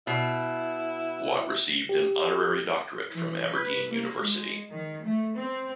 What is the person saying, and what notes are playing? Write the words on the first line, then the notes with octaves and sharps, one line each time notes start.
Watt received an Honorary Doctorate from Aberdeen University.
B2 E4
G4
E3
B4
A#3
G#3
D#3
A3
C4